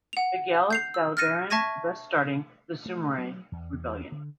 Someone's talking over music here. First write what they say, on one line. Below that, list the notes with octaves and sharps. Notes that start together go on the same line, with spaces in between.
Miguel Balberan, thus starting the Sumuroy Rebellion.
F#5 F7
G6 C7 F7
E6
F6 F#6 A6 A#6 C#7 D#7
E5 A5 C#6 G#6 A#6 D#7
A3
F#3
E2
D3